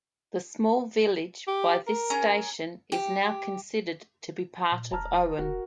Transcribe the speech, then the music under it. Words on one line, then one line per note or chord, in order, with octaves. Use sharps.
The small village by this station is now considered to be part of Owen.
G4
A#4
C#4 G#4 A#5
G4
A#2
E1 A5 A#5 F6
E1 F#4 A#4